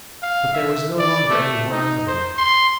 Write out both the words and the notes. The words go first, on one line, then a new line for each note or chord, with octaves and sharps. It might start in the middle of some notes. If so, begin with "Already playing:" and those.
But there was no longer any one on the barrier.
F5
E5
D5
A3
D#4
C5
C6